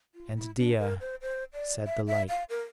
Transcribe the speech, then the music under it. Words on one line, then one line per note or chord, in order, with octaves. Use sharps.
And Dea! said the light.
F4
E4
D4
A#4
C5
C5
D5
E5
E5
F5
A#4